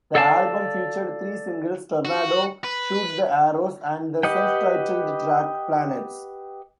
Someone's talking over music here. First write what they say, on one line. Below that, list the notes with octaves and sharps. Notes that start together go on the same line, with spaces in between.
The album featured three singles: "Tornado", "Shoot the Arrows", and the self-titled track "Planets".
A4 D5 F5 A5
F#4
B4
G4 B4 D#5 F#5 G5